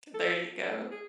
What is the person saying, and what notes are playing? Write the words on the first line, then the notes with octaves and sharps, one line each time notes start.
There you go.
A4
A4
G#4